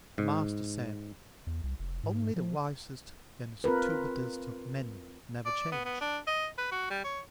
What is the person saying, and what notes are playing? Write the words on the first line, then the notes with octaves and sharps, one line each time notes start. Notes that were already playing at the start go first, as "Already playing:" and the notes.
The Master said, Only the wisest and stupidest of men never change.
G#2
E2
C2
F1
G#2
F3
C4 F4 A#4 B4
D5
B3
B3
D4
D#5
B4
F#4
G3
C#5